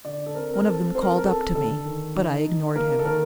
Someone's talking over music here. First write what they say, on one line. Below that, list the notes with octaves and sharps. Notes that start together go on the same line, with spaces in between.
One of them called up to me, but I ignored him.
D3 D5
A4
C4 A#4
A#4
C4 A4
C4 C5
A#4
A4
A#4
C4 A4
D3 A4
D#3
D#4
D#4
A#3 A#4
A4
D#3 A#4